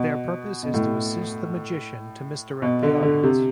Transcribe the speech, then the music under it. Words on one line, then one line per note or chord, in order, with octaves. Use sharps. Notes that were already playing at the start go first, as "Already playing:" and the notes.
Their purpose is to assist the magician to misdirect the audience.
Already playing: B2
B2
A2
B2
D3
D3
C3